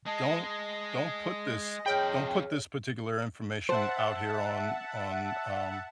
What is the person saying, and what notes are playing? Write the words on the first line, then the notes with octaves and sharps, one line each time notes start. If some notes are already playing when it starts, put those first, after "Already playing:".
don't don't put this don't put this particular information out here on on, um,
G#3 D#5 A5
F2 G#4 C#5 G5 B5 F6
C5 E5 F#5 A5